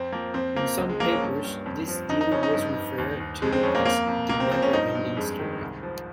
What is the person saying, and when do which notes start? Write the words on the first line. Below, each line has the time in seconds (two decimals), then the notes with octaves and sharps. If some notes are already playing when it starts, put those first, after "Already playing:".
In some papers, this deal was referred to as The never ending story.
Already playing: F2 C4
0.12 F3 A#3
0.34 F2 C4
0.56 F3 A#3
0.78 C#2
0.89 G#3
1.00 F3 A#3
1.11 C#4
1.22 G2
1.44 G2
1.66 F2
1.88 F3
2.10 F2 D#4
2.21 D#4
2.32 F2 C#4
2.43 D#4
2.53 G2
2.76 G2
2.98 D#2
3.20 D#2
3.42 F2 G#3
3.52 C4
3.63 F2 C#4
3.75 A#3
3.85 F2 A#3
4.07 F2
4.29 C#2 A#3
4.40 C4
4.51 F3 C4
4.62 C#4
4.73 G2 D#4
4.95 G2
5.17 F2 G#3
5.39 D#3
5.61 C2
5.83 F3